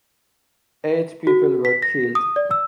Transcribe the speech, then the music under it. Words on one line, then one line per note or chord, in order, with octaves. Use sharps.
Eight people were killed.
F#4
B6
A#6
D#6
D5
E6